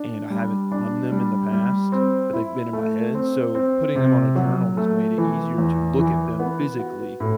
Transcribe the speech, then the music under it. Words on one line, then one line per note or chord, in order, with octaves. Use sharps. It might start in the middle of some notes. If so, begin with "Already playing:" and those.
and I haven't done them in the past, but they've been in my head. So putting them on a journal has made it easier to look at them physically
Already playing: D4
G3
D4
G3
G3
C4
E4
A3
C4
C4
C3
F#3
A3
E3
E2
E3
B3
F#4
A2